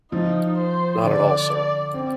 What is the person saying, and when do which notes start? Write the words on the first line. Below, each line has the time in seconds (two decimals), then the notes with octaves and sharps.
Not at all, sir.
0.12 F3 D#4 F4
0.58 C5
1.03 D3 D4 D5
1.94 C4